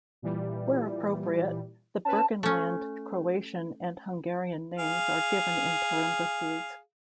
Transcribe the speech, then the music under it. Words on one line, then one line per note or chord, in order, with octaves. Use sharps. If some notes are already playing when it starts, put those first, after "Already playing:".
Where appropriate, the Burgenland Croatian and Hungarian names are given in parentheses.
A#2 E3 G3
C#4 B4 A5
A3 C#4
G#4 F5